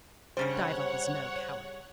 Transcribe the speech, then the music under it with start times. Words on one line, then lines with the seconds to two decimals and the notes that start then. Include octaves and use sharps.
Diva was no coward.
0.37 G2 C#3 G3 C5 C#5 F#5